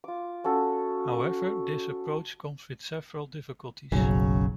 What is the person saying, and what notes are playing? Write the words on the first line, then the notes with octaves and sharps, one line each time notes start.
However, this approach comes with several difficulties.
F4 D6
C#4 F#4 A4
F#1 B1 C#3 F#3